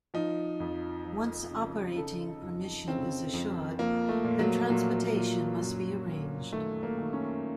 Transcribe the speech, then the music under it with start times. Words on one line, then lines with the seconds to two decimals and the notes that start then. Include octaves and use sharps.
Once operating permission is assured, then transportation must be arranged.
0.14 F3 D#4
0.60 F2
1.05 F3
1.51 C#3
1.96 C#3 A4
2.42 F2
2.88 C#3 C4
3.33 F2
3.79 F3 A#3
4.09 A3
4.24 A#2
4.39 F#3
4.70 A#2 F#3
5.16 A#2
5.62 F#2
6.07 F#2
6.52 D#3 A3
6.83 A#3
6.98 D#3
7.13 C#4